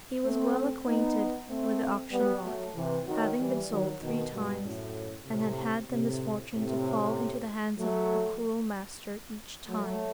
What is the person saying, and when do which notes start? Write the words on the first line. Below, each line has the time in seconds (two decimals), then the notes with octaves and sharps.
He was well acquainted with the auction block--having been sold three times, and had had the misfortune to fall into the hands of a cruel master each time.
0.23 A3 C4
0.86 B3 D#4
1.49 A3 C4
2.12 G3 B3
2.44 F#3 A3
2.76 C3 E3
3.07 D#3 F#3
3.38 E3 G3
3.69 D#3 F#3
4.01 B2 D#3
4.32 G2 B2
4.64 F#2 A2
5.27 A2 C3
5.91 A2 C3
6.53 A2 C3
7.79 F#3 A3
9.68 F#3 A3